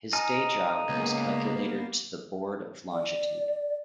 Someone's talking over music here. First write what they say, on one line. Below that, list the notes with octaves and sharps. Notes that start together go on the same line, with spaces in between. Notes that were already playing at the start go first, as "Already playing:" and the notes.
His day job was Calculator to the Board of Longitude.
D#4 G#5 F6
C#2 A#3 B3
D5